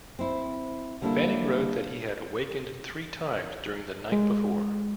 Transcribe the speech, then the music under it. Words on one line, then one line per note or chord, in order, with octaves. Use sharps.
Fanning wrote that he had awakened three times during the night before.
C4 E4
D3 G3 A#3 B3 D4 E4
G#3